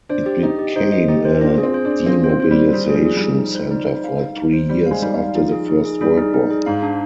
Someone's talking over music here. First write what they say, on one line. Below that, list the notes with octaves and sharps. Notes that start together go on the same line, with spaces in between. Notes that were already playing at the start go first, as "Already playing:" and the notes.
It became a demobilisation centre for three years after the First World War.
D4 C5
G4
D#4 D#5
G4
D#4 C5
D#5
D#4 G4
C5
D4 F4
G#4
C4
C5
D4
G#4
C4 F4
C5
C4
C5
G3
C5
G3 G#4
G#4
F3
G#4
G3
D#4
D#4
C5
D#4
C5
F5
D#4
D#4
C5
G3 C5
G#3 F5
G3 D#4
F5
F3 D#4
G#4
D#4
G#4
G3 G#4
D#4
D#4
G#4
G#2 F5
D4